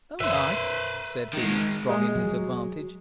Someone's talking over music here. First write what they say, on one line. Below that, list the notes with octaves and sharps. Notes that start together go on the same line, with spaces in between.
"All right," said he, strong in his advantage.
B4 C5 E5
D#3 G#3
G#3
F#3